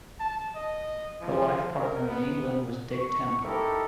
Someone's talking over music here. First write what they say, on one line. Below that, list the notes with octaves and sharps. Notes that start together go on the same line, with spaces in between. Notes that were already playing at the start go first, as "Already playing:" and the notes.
Her life partner in England was Dick Temple.
A5
D#5
F3
A#4
B3
C#6
D#4 E4 G4 A4 A#4